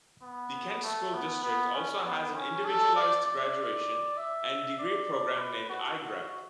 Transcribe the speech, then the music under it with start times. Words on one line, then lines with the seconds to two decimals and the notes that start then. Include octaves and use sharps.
The Kent School District also has an individualized graduation and degree program named iGrad.
0.22 B3
0.84 A3
1.14 B3
1.44 B3
1.75 C#4
2.05 B3
2.35 C#4
2.66 A4
2.96 D5
3.26 D5
4.17 E5
4.79 D5
5.38 B4
5.70 F#4
6.00 F#4